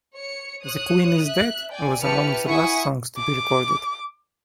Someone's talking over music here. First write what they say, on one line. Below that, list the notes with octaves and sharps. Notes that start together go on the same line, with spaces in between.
"The Queen Is Dead" was among the last songs to be recorded.
C#5 C#7
C#5 D#6 F#6
E5 F#6
D5 G5 G#5
E4 G4 B4 A5 F6 C#7
E4 F#5 G#5 C#6 D#6
D6